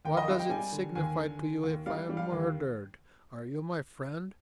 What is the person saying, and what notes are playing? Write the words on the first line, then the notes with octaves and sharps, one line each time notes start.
What does it signify to you if I am murdered? Are you my friend?
D#2 G5
D#5
G3 F5
G5
G3 G#5
D3
D#2 G#5
D3
D3
D#2
G3 F5
G3
F5
D#2